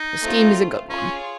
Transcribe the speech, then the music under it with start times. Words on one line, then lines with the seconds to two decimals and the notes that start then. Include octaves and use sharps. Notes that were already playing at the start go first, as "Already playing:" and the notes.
The scheme is a good one.
Already playing: D#4
0.21 A3 C4 F4
0.90 C#4 F4 G#4 C#5